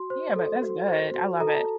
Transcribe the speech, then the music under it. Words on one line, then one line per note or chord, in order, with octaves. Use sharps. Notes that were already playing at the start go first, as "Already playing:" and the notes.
Yeah, but that's good, I love it.
Already playing: F#4 C6
C5
A4
F#4
C5
F#4
A4 A#5
A5
A#5